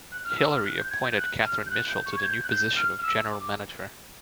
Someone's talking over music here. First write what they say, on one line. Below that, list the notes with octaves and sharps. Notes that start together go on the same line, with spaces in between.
Hilary appointed Kathryn Mitchell to the new position of general manager.
F#6
F6
E6
F6
F#6
G6
G#6
G6
F#6
F6
G6
F#6
G6
C#6
G#6
G6
F#6
G6
F6
F6
E6
D6